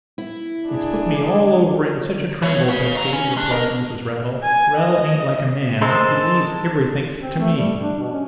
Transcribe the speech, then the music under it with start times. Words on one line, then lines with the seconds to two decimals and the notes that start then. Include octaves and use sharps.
'It's put me all over in such a tremble, Betsy,' replied Mrs. Raddle. 'Raddle ain't like a man; he leaves everythink to me.'
0.18 E4
0.69 D4 G#4
2.42 D#2 C#5
2.69 C#5 F5
2.96 C#5 A#5
3.13 C#4
3.38 D4
3.51 A#4
4.42 G#5
4.78 D#5
5.81 A#2 G#3 C4 A4 C5 A5
7.21 C4
7.40 A3
7.57 G3
7.82 D4
7.99 B2
8.12 C#4